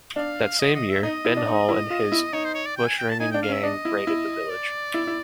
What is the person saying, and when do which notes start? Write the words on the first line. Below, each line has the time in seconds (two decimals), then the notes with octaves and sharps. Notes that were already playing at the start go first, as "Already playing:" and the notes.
That same year, Ben Hall and his bushranging gang raided the village.
0.16 D4 F5
0.60 D#5
0.74 D#5
0.89 E5
1.03 D#4 D#5
1.25 E4
1.37 D4
1.47 D#4
1.69 E4
1.90 F4
2.12 E4
2.33 D#4 C#5
2.45 C5
2.55 C#5
2.66 D5
2.77 G5
2.87 G#5
2.98 G5
3.09 A5
3.20 D#4 G#5
3.31 D4 G5
3.42 F5
3.49 C#4
3.53 E5
3.63 D4 D#5
3.85 E4
4.07 E4
4.50 D5
4.94 E4
5.07 E4